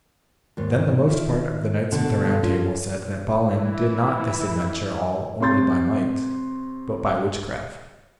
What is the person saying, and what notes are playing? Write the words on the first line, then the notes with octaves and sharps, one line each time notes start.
Then the most part of the knights of the Round Table said that Balin did not this adventure all only by might, but by witchcraft.
D#2 G#2
D#3 E4 F4
B2 D3 F#5
C#4 F4
E3 E4
C3 C#5 A#5 C6 G6 A6